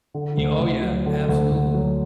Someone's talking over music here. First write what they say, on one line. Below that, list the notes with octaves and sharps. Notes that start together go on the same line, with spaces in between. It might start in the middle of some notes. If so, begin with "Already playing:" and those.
Y oh, yeah, absolutely,
D3
D2
D2
F#3
D3
D2
D2
F#3